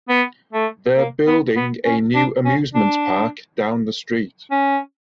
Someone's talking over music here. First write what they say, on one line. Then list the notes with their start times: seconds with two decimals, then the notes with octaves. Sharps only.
They're building a new amusement park down the street.
0.09 B3
0.53 A3
0.98 A#3
1.27 B3
1.56 B3
1.85 C#4
2.15 D4
2.45 C#4
2.75 D4
4.51 C#4